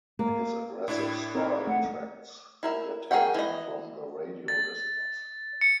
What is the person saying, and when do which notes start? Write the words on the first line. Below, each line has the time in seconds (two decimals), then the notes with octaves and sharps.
His aggressive style attracts the attention from the radio listeners.
0.19 A#3
0.88 A2 D4 E4
1.35 C4 D#4 A#4
1.67 A3 F#5
2.63 E4 A#4 E5
3.11 G#4 A#4 C#5 F#5 G5
3.34 E3 D#5
4.48 A6
5.61 C#7